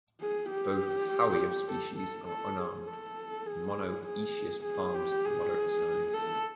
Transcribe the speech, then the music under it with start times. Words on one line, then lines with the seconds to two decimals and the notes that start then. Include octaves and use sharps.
Both "Howea" species are unarmed, monoecious palms of moderate size.
0.22 G#4
0.51 G4
1.69 A4
1.98 A4
2.28 A4
2.58 G#4
2.87 A4
3.47 G#4
4.07 G#4
4.65 G#4
4.94 G4
5.25 G#4
6.14 A4